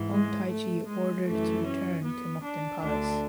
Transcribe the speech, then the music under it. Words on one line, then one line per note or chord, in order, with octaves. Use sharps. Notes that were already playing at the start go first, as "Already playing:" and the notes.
Hong Taiji ordered to return to Mukden palace.
Already playing: G#2 E3
G#3
A3
G#3
F#2 E3 A3
C#4
B3
D4
D2 D3 D4